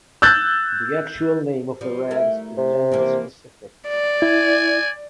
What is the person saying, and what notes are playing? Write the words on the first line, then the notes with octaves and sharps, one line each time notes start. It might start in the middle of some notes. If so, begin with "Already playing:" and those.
The actual name of the ranks is gender-specific.
E6 F#6 G6 A6
F3 G3
A3 E4 A#4
C3
E3 F3 A#3
D5
E4 G#5